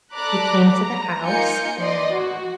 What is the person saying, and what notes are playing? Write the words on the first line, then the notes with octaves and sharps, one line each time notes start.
he came to the house, and, um
A4 D5 A#5 B5 D6 F#6
A#5
A#3 D#4 F4 G#5 G6 C#7
D5 D#5 C6
F#4